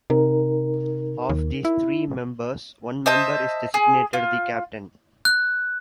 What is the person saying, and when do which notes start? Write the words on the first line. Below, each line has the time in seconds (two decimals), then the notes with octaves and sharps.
Of these three members, one member is designated the captain.
0.10 C3 D#4 A#4
1.29 D#2
1.65 E4
3.06 C5 D#5 E5 A5
3.74 G#4
4.13 F4
5.25 F#6